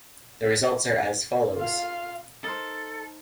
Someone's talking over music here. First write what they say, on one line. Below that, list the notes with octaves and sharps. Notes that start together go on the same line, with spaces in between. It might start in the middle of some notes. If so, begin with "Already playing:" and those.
The results are as follows.
F4 F5
D#4 A4 A#4 C5